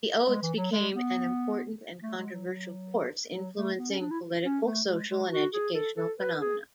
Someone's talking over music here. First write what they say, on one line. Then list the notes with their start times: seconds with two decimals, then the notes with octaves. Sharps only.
"The Odes" became an important and controversial force, influencing political, social and educational phenomena.
0.29 G#3
0.43 E3
0.58 F#3
0.72 G#3
0.95 B3
2.03 A3
2.18 G#3
2.33 F#3
2.47 F#3
3.34 F#3
3.56 A3
3.79 B3
3.90 C#4
4.00 D4
4.11 E4
4.44 C#4
4.66 A3
4.88 G#3
5.10 G#3
5.32 F#4
5.54 G#4
5.75 A4
5.97 A4
6.19 B4
6.41 G#4